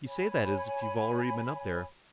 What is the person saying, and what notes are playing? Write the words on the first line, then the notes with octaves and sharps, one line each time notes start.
"You say that as if you've already been up there."
C#5 G#5 B5